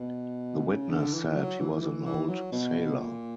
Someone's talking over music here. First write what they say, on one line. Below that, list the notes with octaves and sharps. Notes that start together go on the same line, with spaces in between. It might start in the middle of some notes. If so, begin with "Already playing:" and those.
The witness said he was an old sailor.
Already playing: B2
C#3
D3
E3
F#3
E3
E3
E3
F#3
B2
A#2